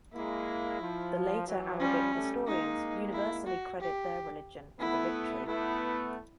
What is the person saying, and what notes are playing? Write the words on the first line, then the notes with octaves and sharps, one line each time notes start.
The later Arabic historians universally credit their religion for the victory.
G#3 A#3 E4
F3
E3 F#3
F3 G3 C#4
G3 A3
G#3 A#3 D#4
E4
F#4
G4
A3 B3 E4
A3 B3 E4